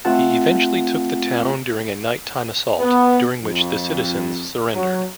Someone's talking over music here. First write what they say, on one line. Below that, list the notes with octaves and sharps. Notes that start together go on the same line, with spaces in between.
He eventually took the town during a night-time assault, during which the citizens surrendered.
A3 C4 F4 A4 F#5 A5
B3
F2
F#3